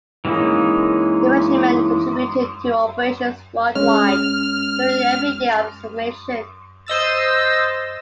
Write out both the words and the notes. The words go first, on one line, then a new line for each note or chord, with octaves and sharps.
The regiment contributed to operations world-wide during every year of its formation.
E3 G#3 A#3 C#4 D#4
G#3 C#4 F6
C5 D#5 E6 A6